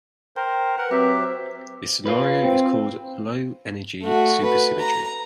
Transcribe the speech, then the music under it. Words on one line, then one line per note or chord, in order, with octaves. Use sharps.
This scenario is called "low energy supersymmetry".
A#4 C5 G5
A#4 B4 F#5
F#3 C4 G4 B4 E5
C5
F4 B4
C4
A3 F#4
B4
A#5